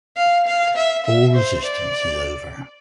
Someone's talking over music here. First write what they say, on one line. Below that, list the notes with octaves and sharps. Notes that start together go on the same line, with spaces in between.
All resistance is over.
F5
F5
E5
E5
C5
D5